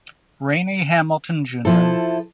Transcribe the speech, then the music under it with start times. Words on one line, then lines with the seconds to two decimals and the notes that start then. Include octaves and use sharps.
Rainy Hamilton Jr.
1.65 F3 E4 A4